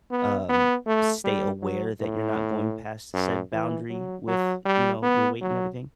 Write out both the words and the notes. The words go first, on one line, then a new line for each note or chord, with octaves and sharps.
um, stay aware that you're not going past said boundary with, you know, your weight and everything?
B3
B3
A3
G3
F#3
A2
F#2
E3
F#3
F#3
G3
B3
F#3